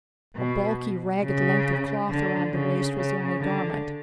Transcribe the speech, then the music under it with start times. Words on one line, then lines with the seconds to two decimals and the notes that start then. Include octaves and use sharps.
A bulky, ragged length of cloth around the waist was the only garment.
0.36 B2
1.23 C#3
2.09 D3
2.53 C#3
2.96 C#3
3.40 D3